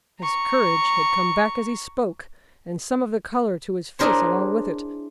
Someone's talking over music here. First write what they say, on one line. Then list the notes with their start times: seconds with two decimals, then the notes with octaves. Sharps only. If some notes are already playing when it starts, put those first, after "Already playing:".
His courage had come back as he spoke, and some of the colour to his face along with it.
0.20 A#5 C#6
3.99 D4 E4 G#4 A#4 C5 C#5